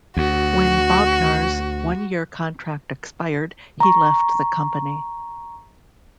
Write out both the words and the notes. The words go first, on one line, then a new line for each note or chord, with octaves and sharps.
When Bognar's one-year contract expired, he left the company.
D2 F#4
A#5 C#6